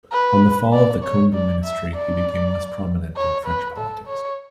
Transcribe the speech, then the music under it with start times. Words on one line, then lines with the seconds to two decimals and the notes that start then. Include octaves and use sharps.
On the fall of the Combes ministry he became less prominent in French politics.
0.12 B4
0.73 D5
1.03 C#5
1.34 D5
1.64 E5
1.94 D5
3.16 C#5
3.46 B4
3.77 A4
4.07 C#5